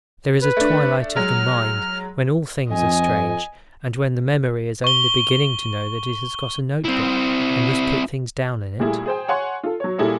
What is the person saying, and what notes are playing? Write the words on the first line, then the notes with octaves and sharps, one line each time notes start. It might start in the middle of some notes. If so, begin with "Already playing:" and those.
There is a twilight of the mind, when all things are strange, and when the memory is only beginning to know that it has got a notebook, and must put things down in it.
B4
A3 D4
F#3 G#3 F6
F2 D#5 G#5
C#6 G7
C4 E4
A#2 G3 A3 E4 G#4
G#4 C5 G5
C#5 F#5 G#5 C6
F4 A4
F#3 C#5
A#2 G3 A#3 E4 G#4 A4